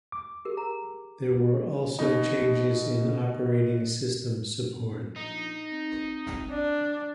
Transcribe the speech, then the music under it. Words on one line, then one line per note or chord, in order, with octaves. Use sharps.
There were also changes in operating system support.
D6
G4 G#4 A#4
A#5
B2 D#4
F#2
A#1 D#4
C4
D4